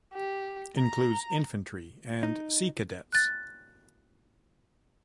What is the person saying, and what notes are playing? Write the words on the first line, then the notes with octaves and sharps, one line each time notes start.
Includes Infantry and Sea Cadets.
G4
A#5
D#4
F#6 A6